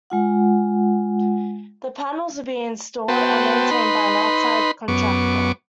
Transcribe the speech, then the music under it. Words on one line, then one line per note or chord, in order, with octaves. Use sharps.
The panels would be installed and maintained by an outside contractor.
G#3 F4 F#5
B3 F#4 B4 C5 G5 A5
D#4 B4 B5 C6
F#2 B3 C#6 D6